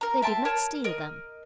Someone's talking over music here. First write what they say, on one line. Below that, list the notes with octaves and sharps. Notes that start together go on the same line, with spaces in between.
They did not steal them.
A#4 A#5
E5 G5 A5 C6
A#4 C#5 A5
A#4 D#5